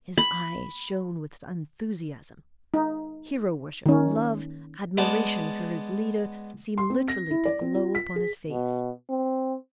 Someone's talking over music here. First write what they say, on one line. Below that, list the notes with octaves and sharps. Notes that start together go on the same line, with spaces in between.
His eyes shone with enthusiasm; hero-worship, love, admiration for his leader seemed literally to glow upon his face.
B5
D#4
D#3 C#4
G#3 B3 D5 A5
C6
C4
A#6
E4
D5
C4
F4
B6
G#4
B2
C4